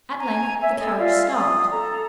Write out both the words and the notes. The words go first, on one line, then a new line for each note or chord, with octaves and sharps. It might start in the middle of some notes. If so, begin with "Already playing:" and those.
At length the carriage stopped.
G#5 A#5
C#5 E5
A4 D#5 E6
F4 D5 E5 F5
D#6
A4 A#5